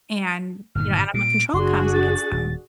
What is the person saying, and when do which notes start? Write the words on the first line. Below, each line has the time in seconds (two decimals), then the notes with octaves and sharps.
and, you know, animal control comes and gets them.
0.75 G1 A#2 D#3 F6
1.14 A#2 D7
1.53 F#1 D4 F#4 G#4 C6
1.94 A6
2.32 D#1